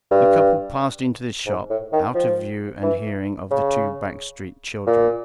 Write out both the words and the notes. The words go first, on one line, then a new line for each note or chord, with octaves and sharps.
The couple passed into the shop, out of view and hearing of the two back- street children.
G2
G#2
A2
D#3
F3
E3
C#3
A#2